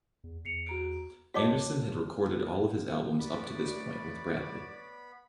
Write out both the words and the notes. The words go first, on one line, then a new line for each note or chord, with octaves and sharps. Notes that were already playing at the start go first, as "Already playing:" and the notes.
Anderson had recorded all of his albums up to this point with Bradley.
E2
E2 C7 C#7 F7
F#4 A#5 D7
F#4 C#5 D#5 A5 D6
A3 B3 C#5 D5 B5